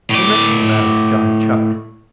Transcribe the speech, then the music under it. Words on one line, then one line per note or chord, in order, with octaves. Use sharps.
He mentioned the matter to Johnny Chuck.
A2 D5